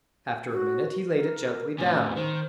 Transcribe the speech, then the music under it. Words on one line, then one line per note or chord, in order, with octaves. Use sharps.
After a minute he laid it gently down.
F#4
A#4
A2 C3 G#5
D#3 C5